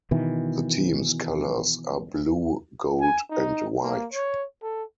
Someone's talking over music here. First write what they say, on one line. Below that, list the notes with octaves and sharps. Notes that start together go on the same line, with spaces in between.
The team's colors are blue, gold and white.
B2 D#3 E3
G#5
D#4
A#3
C#5
A4